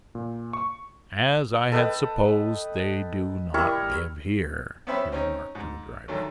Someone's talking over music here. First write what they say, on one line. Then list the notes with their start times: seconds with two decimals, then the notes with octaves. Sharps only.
"As I had supposed, they do not live here," he remarked to the driver.
0.15 A#2
0.53 C#6
1.72 A4 B4 D#5 G5
3.54 G3 E4 A#4 C#6
4.87 B3 C#4 C5 E5 G5 B5
5.12 C4 C#4 D#4
5.55 G#2
6.08 D2 D#3 F#3 A3